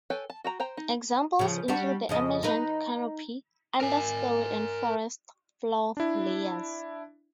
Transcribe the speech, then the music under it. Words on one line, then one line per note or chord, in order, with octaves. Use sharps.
Examples include the emergent, canopy, understorey and forest floor layers.
A4 B4 C#5 G5 G#5
A5
F#4 G5 A#5
C5 G5 A#5
D#4
C#3 F3
G3 D4 F#4
F2 C#3 D#5
D#4 B4
A#4 G#5
D4 E4